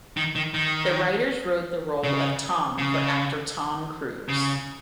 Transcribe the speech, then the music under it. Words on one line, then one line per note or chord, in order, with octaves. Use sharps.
The writers wrote the role of Tom for actor Tom Cruise.
D#3
D#3
D#3
C#3
C#3
C#3